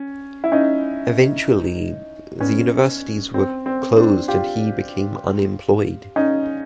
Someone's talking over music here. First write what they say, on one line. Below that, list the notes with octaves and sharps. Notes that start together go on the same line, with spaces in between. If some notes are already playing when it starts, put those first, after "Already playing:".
Eventually the universities were closed and he became unemployed.
Already playing: C#4
E4
C#4 D#4
B3 C#4
C4
C4
C4 D4
F4 G4
C#4 D#4